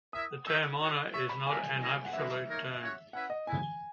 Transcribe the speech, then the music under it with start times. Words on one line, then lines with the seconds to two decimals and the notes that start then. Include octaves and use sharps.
The term honor is not an absolute term.
0.13 E4 A#4 E5 D#6
0.47 D#4 F#4 C#5 E5 E6
0.80 F#4 C#5 F#5
1.13 F#4 C#5 E5 C#6
1.29 B5
1.47 B3 F#4 A#4 E5 G#5
1.80 C#4 E4 A#4 D#5
2.05 F#5
2.13 A#3 C#4 F#4 B4 D#5 E5
2.46 A#3 D#4 A#4 C#5
2.80 C#4 F#4 C#5 F#5
3.13 C#4 E4 B4 E5 F#5
3.30 D#5
3.47 G#3 B3 E4 G#5